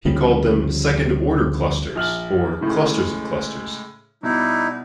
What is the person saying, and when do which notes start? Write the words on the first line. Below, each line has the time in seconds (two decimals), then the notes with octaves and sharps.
He called them "second-order clusters", or clusters of clusters.
0.05 D2 C#3 F3 G3
1.95 A#1 F6 F#7
2.61 A2 C#3 G#3
4.23 B2 G3 D#4 E4